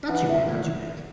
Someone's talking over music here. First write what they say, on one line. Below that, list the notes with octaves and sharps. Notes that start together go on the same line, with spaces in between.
Not too bad. Not too bad.
E3 F#5
A#2 E5
A2 D5